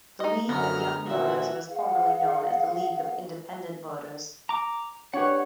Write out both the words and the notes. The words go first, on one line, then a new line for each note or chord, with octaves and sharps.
The League of Young Voters was formerly known as the League of Independent Voters.
D#4 D#5
F#2 D3 B3 A#5 F6
C2 A#2 D#3 F#4 E5
G#4 F5 F#5
A#5 D6
D4 G4 B4 C#5 F#5